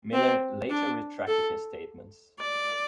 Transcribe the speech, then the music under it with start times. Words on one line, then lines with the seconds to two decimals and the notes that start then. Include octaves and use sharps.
Miller later retracted his statements.
0.13 C4
0.70 D4
1.28 A4
2.40 D5